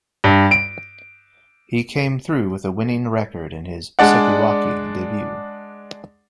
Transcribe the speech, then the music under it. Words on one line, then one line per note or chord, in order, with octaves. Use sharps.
He came through with a winning record in his "sekiwake" debut.
G2
D7
G#3 D4 D5 F#5